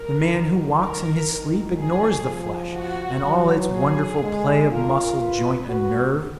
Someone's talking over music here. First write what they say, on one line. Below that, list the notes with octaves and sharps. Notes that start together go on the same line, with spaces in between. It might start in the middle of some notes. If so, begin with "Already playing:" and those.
The man who walks in his sleep ignores the flesh and all its wonderful play of muscle, joint, and nerve.
Already playing: A#4
D#3
A#4
D#3
G#4
F3
F#4
F#3
G#4
G#3
F4 A#4
B4
F#4